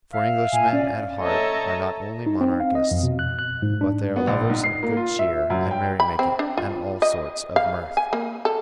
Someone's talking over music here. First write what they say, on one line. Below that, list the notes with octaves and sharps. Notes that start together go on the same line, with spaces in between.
For Englishmen at heart are not only monarchists, but they are lovers of good cheer and merrymaking and all sorts of mirth.
E5 F5
A#2 G#5
C#4 D5
A4 C#5 D#5 E5 A5 A#5
D#4
C4
F5
D#5
F2
B2
F#6
F#6
G#2
D4
B3
A#1
G#2
C7
A#3
F4
E5
F#2
G5
B5
C4
D4
F4
D#5
F5
G#5
A#3
A4